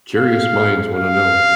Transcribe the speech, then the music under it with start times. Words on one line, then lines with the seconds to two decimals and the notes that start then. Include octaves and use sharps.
curious minds want to know.
0.17 F5
0.95 F5